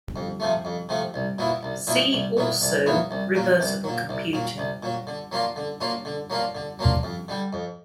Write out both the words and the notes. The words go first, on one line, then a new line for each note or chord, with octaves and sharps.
See also reversible computing.
F2
C3 F3 A3
F2
C3 F3 A3
C2
A#2 F#3 B3 E4
C2
A#2 F#3 B3 E4
C2
A#2 F#3 B3 E4
C2
A#2 F#3 B3 E4
C2
A#2 F#3
C2
A#2 F#3
C2
A#2 F#3
C2
A#2 F#3
D3
F#3 A#3 D4 F4
D3
F#3 A#3 D4 F4
D3
F#3 A#3 D4 F4
D3
F#3 A#3 D4 F4
F2
D3 G3
F2